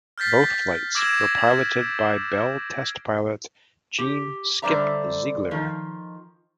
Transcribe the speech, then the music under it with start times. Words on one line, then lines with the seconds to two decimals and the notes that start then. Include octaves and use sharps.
Both flights were piloted by Bell test pilot Jean "Skip" Ziegler.
0.18 F6 G6 A6 B6 C7
0.95 D6 E6 G#6 A#6 D7 E7
3.98 G4
4.62 D3 G3 C5 D5 E5 A#5
5.51 D#3 F3